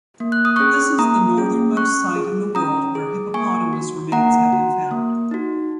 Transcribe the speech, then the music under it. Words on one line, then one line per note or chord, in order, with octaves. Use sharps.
This is the northernmost site in the world where hippopotamus remains have been found.
A#3
F#6
D#6
C#4 G#4 C#6 F#6
A#3 A#5 D#6
C#4 G#4
C#4 C#6 F#6
G#4
C#4 A#5 D#6
G#4
A#3 G#5 C#6
F#4
A#3 F#5 A#5
F#4
A#3
D#4 F#4